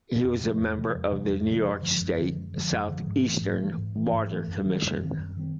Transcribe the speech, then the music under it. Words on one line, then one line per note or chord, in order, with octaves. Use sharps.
He was a member of the New York State Southeastern Water Commission.
F2
C3 F3 G#3
F2
C3 F3 G#3
F2
C3 F3 G#3
F2
C3 F3 G#3
F#2
D3 F3 G#3
F#2
D3 F3 G#3
F#2
D3 F3 G#3
F#2
D3 F3 G#3
G#2
E3 A3
G#2
E3 A3
G#2
E3 A3
G#2
E3 A3
F#2
D#3 G3 C4
F#2
D#3 G3 C4
F#2
D#3 G3 C4